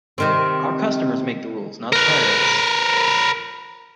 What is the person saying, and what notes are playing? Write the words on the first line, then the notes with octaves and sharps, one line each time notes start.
Our customers make the rules, not the pirates.
C3 D#3 C4
A#4 B4